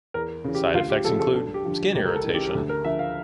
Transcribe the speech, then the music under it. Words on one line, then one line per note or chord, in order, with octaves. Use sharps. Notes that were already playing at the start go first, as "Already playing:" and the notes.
Side effects include skin irritation.
E2 A#4
C#3 E3
G4
D2 F4
G4
C#3 F3 A4
A4
G2 A4
G4
D3 F3
C#2 G4
A#4
A4
C#3 E3
G4
G4
D2 A4
A#4
D3 F3 E5
F5